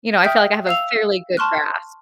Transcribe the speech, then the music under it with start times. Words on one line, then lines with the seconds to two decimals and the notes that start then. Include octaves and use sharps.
you know, I feel like I have a fairly good grasp.
0.25 E5 G5 D#6 F6 G6
0.67 F5 E6 F7
1.37 A5 C6 C#6 F6 F#6